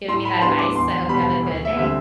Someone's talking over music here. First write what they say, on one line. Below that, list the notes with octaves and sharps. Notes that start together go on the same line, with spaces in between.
giving me that advice. I hope you have a good day.
A2 C6
B5
G3 B3 D4 C6
D6
E2 C6
B2 G3 B5
D2
E5
D3 G3 C4 E5